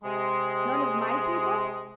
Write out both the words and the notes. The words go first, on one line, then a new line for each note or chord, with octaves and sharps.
None of my people?
C3 G#3